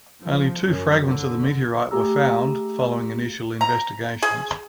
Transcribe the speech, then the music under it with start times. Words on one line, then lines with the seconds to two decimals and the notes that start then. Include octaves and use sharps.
Only two fragments of the meteorite were found following initial investigations.
0.21 F3
0.62 F#2
1.06 D3
1.91 A3 G4 G#4 A#5 E6
3.61 A#5
4.22 G#4